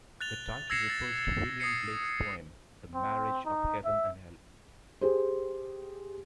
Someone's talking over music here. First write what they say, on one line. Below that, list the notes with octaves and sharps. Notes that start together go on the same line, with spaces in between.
The title refers to William Blake's poem "The Marriage of Heaven and Hell".
F#6 A6 F7 G7
E6 G#6 A#6 C7 C#7 E7
A6
D#6 G#6 A#6 C7 C#7 D#7
C4
D#4
E5
G4 G#4 C5